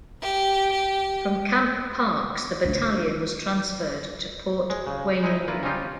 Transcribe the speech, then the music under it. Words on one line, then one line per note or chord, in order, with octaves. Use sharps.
From Camp Parks the battalion was transferred to Port Hueneme.
G4
G4
D4 D#4
G#3
C#3
G#3 D#4 E4 D#5 G#5
A#3 E4 F4 B4
G3 C4 C#4 D#4 F4 G4